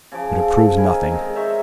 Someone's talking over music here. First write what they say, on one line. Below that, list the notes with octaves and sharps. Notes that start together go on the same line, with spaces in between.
But it proves nothing.
C#3 F3 D6
A4
D#3 A#4 G#5 B5
D#3 G#3 C4
C5 C#5 E5 A#5